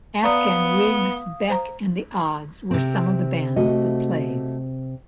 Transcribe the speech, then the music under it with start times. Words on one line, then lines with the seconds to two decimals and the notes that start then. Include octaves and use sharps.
The Afghan Whigs, Beck, and the Odds were some of the bands that played.
0.24 B3 D5 F5 A#5 D#6
1.50 C5 A#5
2.71 C3 C4
3.56 A3 F#4 D#5